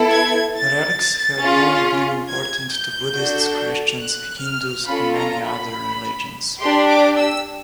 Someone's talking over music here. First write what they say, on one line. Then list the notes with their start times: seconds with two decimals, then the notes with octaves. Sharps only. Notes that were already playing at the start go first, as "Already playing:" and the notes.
Relics have long been important to Buddhists, Christians, Hindus and many other religions.
Already playing: B3 E4 A4
0.13 G#6
0.56 A6
1.42 C#4 F4 G#4
2.28 G#6
2.71 G6
3.14 D4 F#4 A4
4.00 F#6
4.43 F6
4.86 C#4 F4 A4 B5
5.16 A#5
5.44 B5
6.58 D4 G4 C6
6.88 D6
7.16 E6